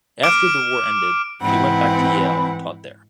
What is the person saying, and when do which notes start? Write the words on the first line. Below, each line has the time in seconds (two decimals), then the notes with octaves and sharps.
After the war ended, he went back to Yale and taught there.
0.23 D6 F6 D7
1.42 G#2 E3 C4 E4 F#5 B5